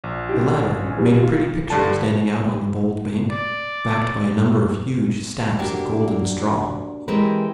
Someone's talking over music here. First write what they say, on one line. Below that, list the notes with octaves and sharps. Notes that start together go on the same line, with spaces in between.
The latter made a pretty picture standing out on the bold bank, backed by a number of huge stacks of golden straw.
A#1
D4 E4 G4
C#4
E3 G3
F4
G2 D3 A5
D5
A#3 D4 F#4 G4
E3 G#3 C4 G4 A#4 B4